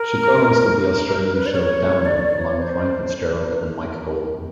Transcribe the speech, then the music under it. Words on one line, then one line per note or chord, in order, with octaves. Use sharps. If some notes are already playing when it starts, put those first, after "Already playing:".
She co-hosted the Australian show "Download" along with Ryan Fitzgerald and Mike Goldman.
Already playing: A#4
A#4
B4
D5
C#5
D5
C#5
C5